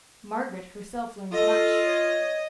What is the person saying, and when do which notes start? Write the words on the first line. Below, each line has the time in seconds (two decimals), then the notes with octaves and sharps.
Margaret herself learned much.
1.32 F4 A4 D#5
1.85 C#5